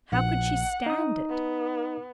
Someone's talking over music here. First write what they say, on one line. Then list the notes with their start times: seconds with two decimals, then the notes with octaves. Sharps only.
How could she stand it?
0.12 A#1 F#5
0.86 D#4 D#6
1.30 B3